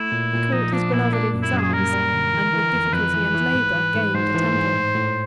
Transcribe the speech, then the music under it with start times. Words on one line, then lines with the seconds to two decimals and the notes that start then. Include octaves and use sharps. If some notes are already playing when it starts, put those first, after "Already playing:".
He caught his beloved in his arms, and with difficulty and labor gained the temple.
Already playing: A3 E4
0.12 A#2
0.33 A#2
0.52 F3 D#4
0.73 F3 D4
0.92 A#2 E4
1.12 A#3 D4
1.34 F#2
1.43 E4
1.53 F#2 G#4
1.73 G3 A#4
1.93 G3
2.13 D3
2.33 E3
2.54 E3
2.73 F2
2.93 F2 B4
3.14 E3
3.34 E3
3.54 G#2
3.75 E3
3.94 G#2
4.15 G#2 C5
4.35 E3
4.55 G#2
4.75 A2
4.95 A2